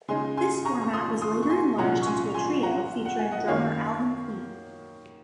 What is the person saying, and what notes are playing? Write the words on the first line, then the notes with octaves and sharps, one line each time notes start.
This format was later enlarged into a trio featuring drummer, Alvin Queen.
C#3 G#3 D#4 G#5 C6
G#5 C6
A#5 C#6
C#6
C6 D#6
C6 D#6
C#6
G#5 C6
C2 A#2 F#3 C#4 F4 F#5 A#5
C#6
G#5 C6
G#5 C6
F#5 A#5
F#5
G#5
D#5 F#5
F#2 D#3 A#3 C#5 F5